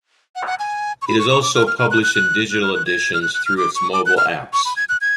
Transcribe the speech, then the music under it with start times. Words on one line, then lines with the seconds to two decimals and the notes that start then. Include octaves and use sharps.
It is also published in digital editions through its mobile apps.
0.36 F#5
0.47 F#5
0.59 G#5
1.02 C#6
1.07 B5
1.19 C#6
1.30 C#6
1.43 D6
1.55 F6
1.67 F6
1.78 F6
1.91 F#6
2.03 F#6
2.15 F#6
2.51 F#6
2.62 F6
2.75 F#6
2.86 G#6
3.14 F6
3.22 F#6
3.34 F#6
3.46 F6
3.58 D6
3.75 C#6
3.93 D6
4.06 F#6
4.17 F6
4.53 C#6
4.65 B5
4.76 G#6
4.89 F#6
5.01 G#6